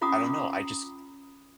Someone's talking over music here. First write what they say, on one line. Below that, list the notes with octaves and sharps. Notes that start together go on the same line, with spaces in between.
I don't know, I just
C#4 F4 F#5 A#5 D6 D#6